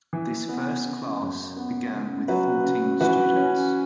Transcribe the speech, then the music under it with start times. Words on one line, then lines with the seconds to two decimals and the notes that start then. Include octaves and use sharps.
This first class began with fourteen students.
0.13 E3
0.49 B3
0.85 C#3
1.21 F#2
1.56 B3
1.93 C#3
2.28 F#3 F#4 B4
2.64 C#3
3.00 E3 F#4 B4
3.36 C#4